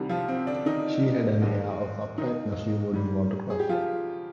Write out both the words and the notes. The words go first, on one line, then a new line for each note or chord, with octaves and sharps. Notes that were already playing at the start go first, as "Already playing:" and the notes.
She had an air of uptightness you wouldn't want to cross.
Already playing: C2 C3 D#3 G3
F3 F4
C4
D3 D4
D#3 D#4
D#2 D#3 G#3
D#3 D#4
G#2 D#3 G3
G#4
G4
F3 F4